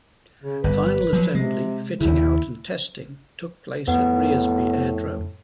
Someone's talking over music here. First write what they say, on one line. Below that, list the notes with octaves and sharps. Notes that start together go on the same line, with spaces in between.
Final assembly, fitting out and testing took place at Rearsby aerodrome.
C#3
G1 B4
F3 F#3
C3 G#3
D#2 C#3 E4
F2 A2 B3 B4 F#5